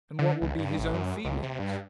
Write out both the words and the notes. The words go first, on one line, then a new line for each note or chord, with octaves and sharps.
And what would be his own feelings?
D3
C#2
G2
A1
F#2
C#2
C3
G2